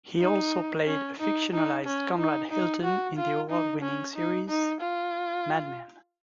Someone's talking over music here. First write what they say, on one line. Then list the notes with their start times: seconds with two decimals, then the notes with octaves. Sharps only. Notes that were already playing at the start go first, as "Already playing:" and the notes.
He also played a fictionalized Conrad Hilton in the award-winning series "Mad Men".
0.21 D#4
0.87 C#4
1.20 D#4
1.53 D#4
1.86 C#4
2.18 D#4
2.51 D#4
2.84 F#4
3.17 F4
3.50 D#4
3.82 C#4
4.16 D#4
4.49 D#4
4.81 F4